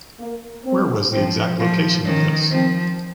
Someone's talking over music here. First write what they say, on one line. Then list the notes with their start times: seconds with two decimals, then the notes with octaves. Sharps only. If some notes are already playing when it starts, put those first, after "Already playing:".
Where was the exact location of this?
0.20 A#3
0.65 C4
1.12 F3 C4
1.58 F3 A#3
2.05 D#3 C#4
2.51 F3 C4